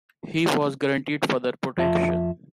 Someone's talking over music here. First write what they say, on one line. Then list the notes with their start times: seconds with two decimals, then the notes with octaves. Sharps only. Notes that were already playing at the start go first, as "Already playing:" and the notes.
He was guaranteed further protection.
1.78 F2 F4 E5 A5